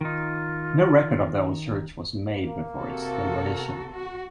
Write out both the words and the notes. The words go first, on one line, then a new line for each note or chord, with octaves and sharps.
No record of the old church was made before its demolition.
D#3 D#4 F4
A#3
C3 F#4 A4
F#4